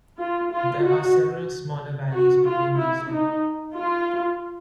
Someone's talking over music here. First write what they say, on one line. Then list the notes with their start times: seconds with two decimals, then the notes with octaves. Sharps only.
There are several smaller valleys between these two.
0.18 F4
0.51 F4
0.84 F#4
2.12 F#4
2.45 F4
2.77 E4
3.10 D#4
3.74 F4